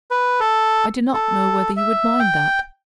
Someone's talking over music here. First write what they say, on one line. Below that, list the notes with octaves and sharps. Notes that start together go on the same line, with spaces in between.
I do not know whether you would mind that.
B4
A4
A4
E5
G5